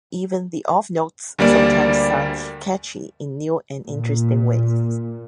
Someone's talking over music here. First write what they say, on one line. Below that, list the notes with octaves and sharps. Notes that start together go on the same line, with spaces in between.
Even the off notes sometimes sound catchy in new and interesting ways.
D2 G3 A#3 D5
A#2